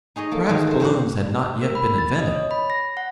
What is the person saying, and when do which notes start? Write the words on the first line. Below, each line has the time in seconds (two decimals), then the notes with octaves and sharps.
Perhaps balloons had not yet been invented.
0.16 D#4 G#4 C#5 D#5
0.31 A#3 A4
0.49 D#3 E3 F#3 G#3
0.67 A4 C5
0.80 F2 A2 C5 F#5
1.61 A#4
1.75 B5
1.98 A6
2.19 D#5
2.35 C#5
2.51 B5
2.70 A#6
2.97 F#5